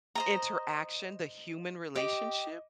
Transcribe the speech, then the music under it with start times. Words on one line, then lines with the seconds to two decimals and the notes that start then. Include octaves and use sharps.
interaction, the human relationship?"
0.15 C5 D#5 A#5
1.96 G4 D#5